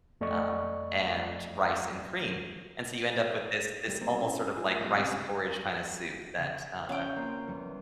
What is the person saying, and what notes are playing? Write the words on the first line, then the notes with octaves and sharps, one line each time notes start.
um, and rice and cream. And so you end up with this this almost sort of like rice porridge kinda soup that, uh,
F2 A3 D5 D#5 C#6
G3 A3 G4
A#3 C4
C#4 E4
A3 F4 G#5
B1 G#2 G3
C#3 G3 G#3 C4 G#4
C#3 A6
C#4 G5
A#3 C4 F4
E2 G3 C#7